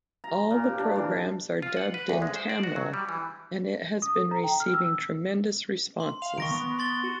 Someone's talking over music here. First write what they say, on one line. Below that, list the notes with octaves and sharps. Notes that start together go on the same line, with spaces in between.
All the programmes are dubbed in Tamil and it has been receiving tremendous responses.
A#5
A#2
G4
D4
E3
F4
F#5
B4
D2
G#3
C5
D5
F#4
F#3
G3
E3
D#6
A4
A#5
G5
F6
E6
C6
F5 F7
D#3 C#6 A#6 D7
B3
C6 A6 G7
F#4